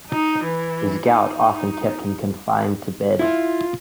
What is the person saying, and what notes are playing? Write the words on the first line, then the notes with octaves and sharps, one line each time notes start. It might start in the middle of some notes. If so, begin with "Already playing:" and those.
His gout often kept him confined to bed.
D#4
E3
D#4
E4 F4